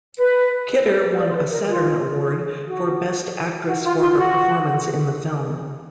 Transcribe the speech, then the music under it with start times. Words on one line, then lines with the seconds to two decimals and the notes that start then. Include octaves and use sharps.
Kidder won a Saturn Award for best actress for her performance in the film.
0.18 B4
1.18 D5
1.29 C5
1.34 B4
1.50 A#4
1.67 F4
2.67 F#4
3.66 F#4
3.83 F4
4.01 F4
4.16 F#4